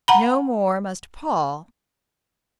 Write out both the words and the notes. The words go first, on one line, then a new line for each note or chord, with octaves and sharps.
No more must Paul.
F#5 A#5 B5